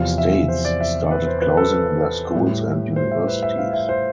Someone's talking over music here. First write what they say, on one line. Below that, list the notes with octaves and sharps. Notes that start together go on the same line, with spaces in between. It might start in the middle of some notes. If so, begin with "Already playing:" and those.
States started closing their schools and universities.
Already playing: E2 C3 F3 F5
E5
C5
D5
E5
B4
C5
B4
A4
B4
A2 G3
C5
E5
B4
E5
F5
E5
C5